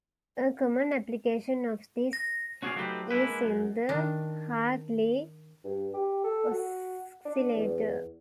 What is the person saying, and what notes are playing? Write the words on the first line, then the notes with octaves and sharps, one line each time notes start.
A common application of this is in the Hartley oscillator.
A#6
C#4 F#4 G#4 C5 D5 F5
F#3 A3 C4 D#4 G4 B4
G#3 A#3 D4 E4 B4
F#2
D#3 D4
G2
G4
A4
F#4
D4
E2